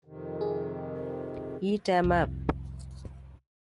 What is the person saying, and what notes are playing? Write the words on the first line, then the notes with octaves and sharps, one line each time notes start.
Eat 'em up!
F2 C3 D#3
G#4
C2 F2